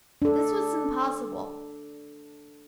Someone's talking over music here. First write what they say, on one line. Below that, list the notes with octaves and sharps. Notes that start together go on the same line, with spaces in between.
This was impossible.
D4 A4